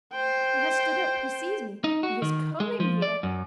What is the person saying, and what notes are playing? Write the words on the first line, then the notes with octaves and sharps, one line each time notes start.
He has stood up, he sees me, he is coming here....
C5 G5
D#4
F#4
D#3
G#3
F3
D5
F#2